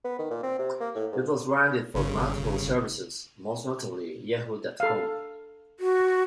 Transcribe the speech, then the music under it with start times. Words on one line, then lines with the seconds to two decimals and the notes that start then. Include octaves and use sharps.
It was branded for multiple services, most notably Yahoo dot com.
0.04 B3
0.19 D#3
0.31 A#2
0.43 C4
0.59 C3
0.80 A#3
0.95 A2
1.12 G#2
1.94 G1 C#3
4.80 A4 F5
5.80 F#4